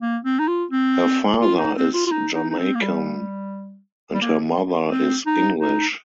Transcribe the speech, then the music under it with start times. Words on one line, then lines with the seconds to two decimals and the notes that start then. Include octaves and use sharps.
Her father is Jamaican and her mother is English.
0.02 A#3
0.25 C4
0.39 D#4
0.48 F4
0.71 C4
1.42 F4
1.59 D#4
1.77 C4
1.94 F4
2.07 F4
2.11 D#4
2.34 D#4
2.50 D#4
2.58 C4
2.75 A#3
2.82 G3
4.14 G3
4.22 A#3
4.91 C4
5.26 D#4
5.61 D#4